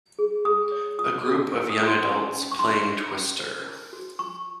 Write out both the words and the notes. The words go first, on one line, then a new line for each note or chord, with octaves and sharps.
A group of young adults playing Twister.
G#4
G#4 D#6
C#5
F4 D#6
G#4
F#4 C#6
D#6
F#4
C6
C#4 C6
C#4
C#6
D#4 C6
D#4
C#4
C5
A#4
F#4
F4 C#6